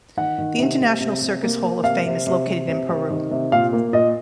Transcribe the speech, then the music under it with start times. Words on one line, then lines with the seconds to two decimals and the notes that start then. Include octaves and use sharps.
The International Circus Hall of Fame is located in Peru.
0.17 D#3 F#5
0.38 D#3
0.58 C3
0.80 C3
1.00 C3
1.22 C3
1.43 A#3
1.64 A#3
1.84 C3 F5
2.06 C3
2.26 C3
2.47 C3
2.68 C3
2.89 C3
3.10 D#3
3.31 C3
3.52 A#2 F5
3.73 A#3
3.93 A#2 D#5